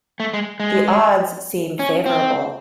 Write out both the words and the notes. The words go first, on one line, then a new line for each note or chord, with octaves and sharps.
The odds seem favourable.
A3
G#3
G#3
C#4
C4